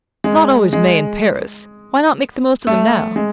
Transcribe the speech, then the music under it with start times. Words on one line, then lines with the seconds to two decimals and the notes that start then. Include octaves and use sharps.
It's not always May and Paris--why not make the most of them now?
0.24 G#3
0.73 G#3
2.67 A3
3.16 G#3